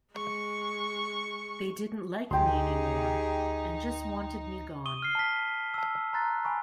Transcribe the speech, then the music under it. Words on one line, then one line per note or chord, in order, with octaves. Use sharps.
They didn't like me any more and just wanted me gone.
G#3 C#6
D2 D#4 G4 G#4 G5 C6
C#6 D#6 D#7 G7
F6 C7
A5 B6
A5 E6
A#5 C6 F#6 A6
G#5 B5 C#6